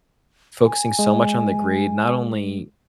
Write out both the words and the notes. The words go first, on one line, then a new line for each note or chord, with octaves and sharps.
focusing so much on the grade not only
G#5
G#3